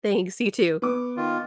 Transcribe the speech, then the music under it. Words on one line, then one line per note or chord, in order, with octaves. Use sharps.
Thanks. You too.
B3 D6
D#3 F4